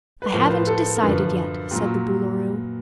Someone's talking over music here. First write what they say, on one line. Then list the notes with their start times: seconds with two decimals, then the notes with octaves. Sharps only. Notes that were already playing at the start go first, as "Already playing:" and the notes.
"I haven't decided yet," said the Boolooroo.
0.22 B4
0.33 A2 F3 A#4
0.44 C5
0.50 B4
0.67 A4
0.95 A#4
1.01 F#2 D3 F3 B4
1.71 A#2 F#3